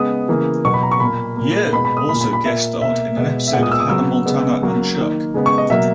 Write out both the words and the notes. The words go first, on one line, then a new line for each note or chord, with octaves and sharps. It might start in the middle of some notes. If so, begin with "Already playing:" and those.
Yeo also guest starred in an episode of "Hannah Montana and Chuck".
Already playing: C#3 G#3 B3 D#6
C#3 E3 A#3
B2 F#3 B3 C#6
B5
A#5
C#6
A#2 A#3 B5
A#2 A#3
B2 G#3 B3 B5
B5
D#6
A#2 A#3 B5
B5
B5
A#2 A#3 E5
B2 A#3 E5
B2 G#3 B3
E5
A#2 G#3 B3 F#5
D#6
E6
D#6
C#3 F#3 B3 E6
C#3 G#3 B3
C#3 F#3 A#3
D#3 A#3
C#3 G#3 B3
C#6
D#5
B2 F#3 A#3 E5